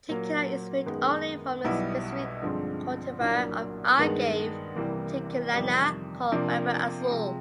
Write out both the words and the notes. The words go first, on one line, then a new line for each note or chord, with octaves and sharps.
Tequila is made only from a specific cultivar of Agave tequilana called Weber Azul.
A#2 F#3 A#3
F#2 D#3 G#3 B3
B1 B2 G3 B3 E4
G2 D3 F3 G#3 C4
C2 A#2 F#3 A#3 D4
G2 D#3 G#3 B3
C2 C3 E3 G3 A#3
F2 C3 D#3 G3
C3 F3 A#3 D4
C3 F3 G#3